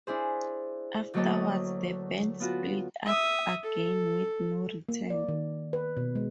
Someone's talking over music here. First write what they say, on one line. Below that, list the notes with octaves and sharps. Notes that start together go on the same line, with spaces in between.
Afterwards, the band split up again with no return.
D4 E4 G#4 C5
D2 F#3 A#3 C#5 D#5 A5
B3 F4 F#4
E5 D#6
A4
A#3
D5
D#3
B4
B2
G#3